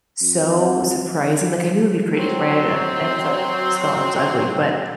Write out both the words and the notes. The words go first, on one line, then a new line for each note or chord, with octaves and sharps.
so surprising, like, I knew it'd be pretty, right? I n never thought Scotland was ugly, but
F2
F#3 C4